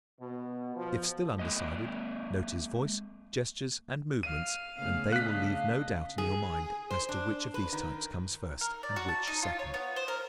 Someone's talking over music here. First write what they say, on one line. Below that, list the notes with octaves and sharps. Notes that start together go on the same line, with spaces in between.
If still undecided, note his voice, gestures and movements and they will leave no doubt in your mind as to which of these types comes first and which second.
B2
F3
G#3 A#3 D#5
F5 D#7
C#3 A3 B3 F5
C#3 D4 D#5 F5 F#6 B6
G#4
C5
D4
B4
D#3
A#4
D5
F#4
A5
D#4
F4
C#5
B3
C5
A#4